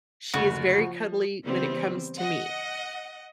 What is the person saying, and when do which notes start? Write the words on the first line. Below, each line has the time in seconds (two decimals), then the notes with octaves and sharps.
She is very cuddly when it comes to me,
0.34 F#1 D2 F#4
0.77 F3
1.44 C#3 E3 G3 B3 C4
2.16 D#5 F#5